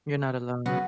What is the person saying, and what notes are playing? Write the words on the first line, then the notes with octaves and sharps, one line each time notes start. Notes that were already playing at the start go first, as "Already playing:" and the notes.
You're not alone.
C#3 F#3 B3 F#4